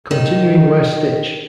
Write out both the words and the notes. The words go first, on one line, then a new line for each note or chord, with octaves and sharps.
Continuing where Stitch!
D#3